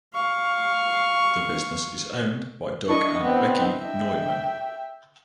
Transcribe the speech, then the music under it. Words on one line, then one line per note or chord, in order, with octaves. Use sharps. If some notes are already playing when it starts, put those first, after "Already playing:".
The business is owned by Doug and Becky Neuman.
F5 C#6
D4 E4 D#5 C#6
B3 C4
E5 G5